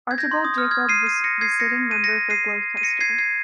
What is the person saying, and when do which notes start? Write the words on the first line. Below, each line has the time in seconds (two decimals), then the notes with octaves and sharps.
Archibald Jacob was the sitting member for Gloucester.
0.11 G#6
0.18 G6 A#6
0.31 C6
0.45 D#6
0.58 F6
0.71 F6 G#6
0.89 C7 D#7
1.07 C7 D#7
1.24 A#6 C#7
1.41 G#6 C7
1.60 A#6 C#7
1.91 D#7
2.04 A#6 C#7
2.30 C7 D#7
2.77 D#7
2.83 A#6 C#7
3.01 G#6 C7
3.18 G#6 C7